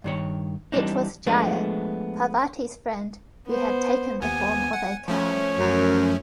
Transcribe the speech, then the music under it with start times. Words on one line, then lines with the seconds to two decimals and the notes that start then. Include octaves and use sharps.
It was Jaya - Parvati's friend, who had taken the form of a cow.
0.04 G2 D#3 C#5
0.72 E3 G3 A#3 C4 D4 D#4
1.27 F3 G#3 A3 B3 D4
3.47 B3 C5
4.22 D#2 B3 G#5
4.73 F#5
5.08 F3 A3 C#4 C#5
5.59 F#2